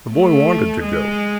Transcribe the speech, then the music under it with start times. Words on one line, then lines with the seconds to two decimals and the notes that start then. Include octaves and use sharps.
The boy wanted to go.
0.12 A3
0.81 G#3